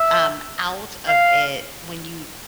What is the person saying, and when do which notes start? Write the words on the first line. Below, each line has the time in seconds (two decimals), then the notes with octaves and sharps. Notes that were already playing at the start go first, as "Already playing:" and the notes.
um, out of it, when you
Already playing: E5
1.08 F5